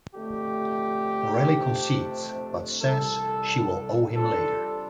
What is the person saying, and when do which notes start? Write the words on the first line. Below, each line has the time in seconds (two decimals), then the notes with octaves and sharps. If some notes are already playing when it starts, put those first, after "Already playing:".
Morelli concedes, but says she will owe him later.
0.15 F2 D3 A3 G4
1.48 F2 C3 A3 D4
2.82 C2 C3 G3 A4
4.16 C3 G3 D4 F4 A4